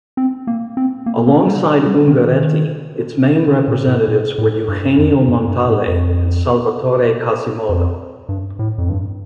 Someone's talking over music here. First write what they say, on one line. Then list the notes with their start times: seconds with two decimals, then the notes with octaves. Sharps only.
Alongside Ungaretti, its main representatives were Eugenio Montale and Salvatore Quasimodo.
0.17 C4
0.47 A#3
0.77 C4
1.06 A#3
1.27 A#3
1.47 G3
1.86 G3
2.08 D#3
2.27 D#3
3.48 D3
3.68 A#2
3.87 A2
4.08 A#2
4.38 A2
4.68 G2
4.98 F2
5.28 G2
5.47 G2
5.68 A2
5.88 F2
7.69 F2
8.29 G2
8.59 A2
8.78 F2
8.89 G2